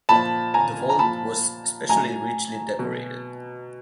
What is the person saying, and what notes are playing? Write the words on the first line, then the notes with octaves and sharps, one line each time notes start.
The vault was especially richly decorated.
A#2 F3 A5 B5
G#5 A#5
A#5
A#2 F3 A5 B5
A2 F#3 G#5 A#5
B2 F#3